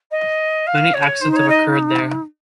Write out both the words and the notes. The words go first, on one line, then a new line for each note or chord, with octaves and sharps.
Many accidents have occurred there.
D#5
F5
C#5
D#4 C5
C5
C#5
D#5